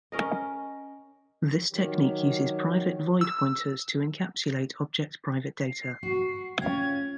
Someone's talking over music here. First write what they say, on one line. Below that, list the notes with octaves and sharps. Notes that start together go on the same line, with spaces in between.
This technique uses private void pointers to encapsulate object private data.
C#4 A#4 D#5
D#3 F#3 G4
E6
C7
F#4
C#4 F4 G5 G#6